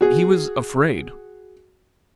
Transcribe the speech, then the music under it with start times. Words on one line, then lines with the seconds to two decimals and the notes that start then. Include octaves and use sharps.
He was afraid.
0.01 F#4 G#4